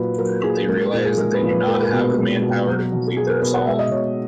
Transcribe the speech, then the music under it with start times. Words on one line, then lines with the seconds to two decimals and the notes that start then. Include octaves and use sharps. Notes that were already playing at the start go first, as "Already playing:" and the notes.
They realize that they do not have the manpower to complete their assault.
Already playing: A#2 F#3 B4
0.18 F#3 A#4
0.43 A#2 G#4
0.68 G#3 A#4
0.93 A#2 A#4
1.05 G#4
1.18 G#3 A#4
1.34 B4
1.42 A#2
1.51 B4
1.67 G#3 A#4
1.75 B4
1.82 A#4
1.92 B2
2.17 G#3
2.42 B2
2.67 F#3
2.92 B2
3.17 F#3 G#4
3.29 A#4
3.42 B2 B4
3.54 F#5
3.66 G#3 E5
3.79 D#5
3.92 B2 C#5